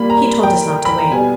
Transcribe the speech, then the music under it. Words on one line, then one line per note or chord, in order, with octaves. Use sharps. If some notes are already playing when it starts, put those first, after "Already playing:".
He told us not to wait.'
Already playing: A#2 G3 A#3 B5
A#5
G5
B5
A#5
B2 G3 B3 G#5